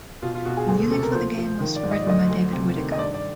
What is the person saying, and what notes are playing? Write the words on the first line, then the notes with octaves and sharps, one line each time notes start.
The music for the game was written by David Whittaker.
B2 F4
F4
B2 F#4
G#4
D2 G#4
A4
C3 A4
A#4
F3 C5
F3
D#3
D5
G#2
D#5
D5
D2 D#5
D2
C3
D#3
D#5
G2 D5
D5